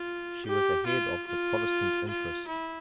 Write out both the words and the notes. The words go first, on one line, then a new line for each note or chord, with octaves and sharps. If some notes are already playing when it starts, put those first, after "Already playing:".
She was the head of the Protestant interest.
Already playing: F4
G4
F4
F4
F4
E4